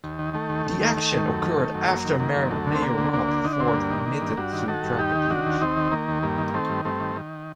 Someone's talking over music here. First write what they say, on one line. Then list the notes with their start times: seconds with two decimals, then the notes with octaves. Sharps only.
The action occurred after Mayor Rob Ford admitted to drug abuse.
0.04 D#2
0.19 D#3
0.34 D#3 A3
0.49 D#2
0.66 D#2
0.81 D#3
0.97 D#3
1.12 D#2
1.27 F#2
1.42 D#3
1.58 D#3
1.74 F#2
1.90 F#2 A#3
2.05 D#3
2.20 D#3 A#3
2.35 F#2
2.51 D2 A3
2.67 D3
2.74 C4
2.82 D3 A#3
2.98 D2
3.13 D2 A#3 D4
3.28 D3
3.44 D3 D#4
3.53 D4
3.59 D2 C4
3.68 A#3 D4
3.75 G2
3.90 D#3
4.06 D#3
4.21 G2
4.37 G2 D4 F#4
4.53 D#3
4.68 D#3 F#4 A4
4.83 G2
4.99 D#2 D#4 G4
5.15 D#3
5.30 D#3 D4 F#4
5.46 D#2
5.61 D#2 C4 D#4
5.77 D#3
5.92 D#3 A#3
6.08 D#2
6.23 G2 A#3
6.38 D#3
6.54 D#3 A3 C4
6.69 G2
6.85 G2 A3 C4
7.00 D#3
7.16 D#3